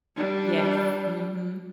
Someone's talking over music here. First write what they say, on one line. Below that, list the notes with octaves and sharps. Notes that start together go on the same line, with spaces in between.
Yes, mhm.
G3 D4